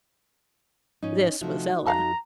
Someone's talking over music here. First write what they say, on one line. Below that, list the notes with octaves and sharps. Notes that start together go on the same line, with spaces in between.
This was Ella.
G#2 F3 C#4 D#4
C3 F3 A3 D#4 F#4
F2 F5 F#5 A5 A#5